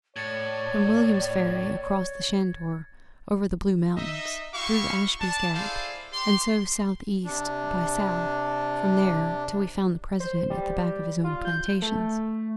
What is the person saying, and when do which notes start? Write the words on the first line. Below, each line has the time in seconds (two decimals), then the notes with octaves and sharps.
From Williams Ferry, across the Shanedore, over the Blue Mountains, through Ashby's Gap, and so south-east by south from there, till we found the President at the back of his own plantations.
0.16 A2 C#5 D5 G#6 A6 C#7
3.97 D#4 D#5 E5
4.54 E4 F#4 G4 F5 C#6
5.21 D4 A5
5.54 E4 G#4 A4 C5 D5 F5
6.13 G4 C6
7.25 C3 D4
10.20 C5
10.50 G3
11.24 F4
11.45 G6
11.82 A3